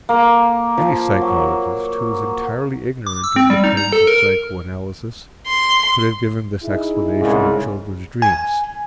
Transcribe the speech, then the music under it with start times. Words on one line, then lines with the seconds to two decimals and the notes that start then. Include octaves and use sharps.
Any psychologist, who is entirely ignorant of the claims of psychoanalysis, could have given this explanation of children's dreams.
0.09 A#3
0.77 F3
1.21 F#3
3.07 D6
3.24 E6
3.36 C4
3.50 G3
3.64 D#4
3.77 A#5
3.93 A4
4.07 A#4
5.47 C6
6.63 D#4 E4 G#4
7.21 C2 G#2 C#3
8.22 G#5